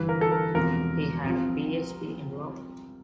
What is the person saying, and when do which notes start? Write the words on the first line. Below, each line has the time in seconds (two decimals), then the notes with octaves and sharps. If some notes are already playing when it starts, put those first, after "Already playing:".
He had a PhD in law.
Already playing: G1 G2 E3 B4
0.09 A#4
0.21 A4
0.32 A#4
0.54 E1 E2 C3 F3 A#4
1.24 C2 C3 F3